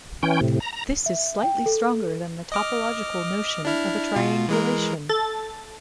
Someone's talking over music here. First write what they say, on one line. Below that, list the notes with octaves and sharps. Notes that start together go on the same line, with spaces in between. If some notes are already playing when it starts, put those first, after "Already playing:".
This is slightly stronger than the topological notion of a triangulation.
E3 C#4 G5
A2 C3
A#5
A#5
E5
G5
A4
D#5 D6 F6
D4 E4 F6
B2 F4
E3 G#3 A#4
A4 A6